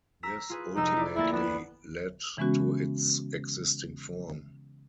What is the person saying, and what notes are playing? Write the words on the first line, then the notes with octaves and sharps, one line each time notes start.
This ultimately led to its existing form.
A#5 E6 B6
F4 G#4 B4
F1 D#4 E6
E4 D5
D2 A#3 E4 A6
B3 D4 E7
C#3 E3 G#3 B3 C#4 F#4